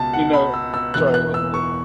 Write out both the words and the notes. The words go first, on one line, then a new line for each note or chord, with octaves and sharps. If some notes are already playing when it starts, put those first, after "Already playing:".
you know, sorry, I wasn't like,
Already playing: C#2 B2 A5
F#5
B5
E6
E6
E1 E2 E3 F#6
F#6
E6
C#6